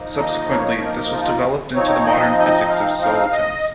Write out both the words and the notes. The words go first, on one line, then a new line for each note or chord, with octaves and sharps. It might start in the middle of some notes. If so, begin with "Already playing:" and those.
Subsequently, this was developed into the modern physics of solitons.
Already playing: F3 A#3 D#4
D#5
C#5
A#4
F4
F3 C4 D#4 C#5
D#5
D#5
F5
F5
D#5